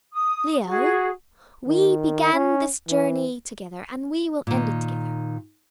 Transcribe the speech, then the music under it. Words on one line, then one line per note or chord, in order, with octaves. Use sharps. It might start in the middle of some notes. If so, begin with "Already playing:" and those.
Leo, we began this journey together and we will end it together.
D#6
F#4 G#4
D#3
C#4
E3
A#2 D#3